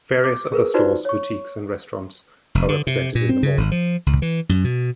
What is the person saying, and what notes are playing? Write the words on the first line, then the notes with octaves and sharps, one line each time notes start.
Various other stores, boutiques and restaurants are represented in the mall.
D6
G#4 A#4 B4
D#4 F4 F#4 B4 C5 D5
C#5 C#6
F1
D3
C3
A#2
C4
C#3
G#1
F3
C#2
E3
F#2
B2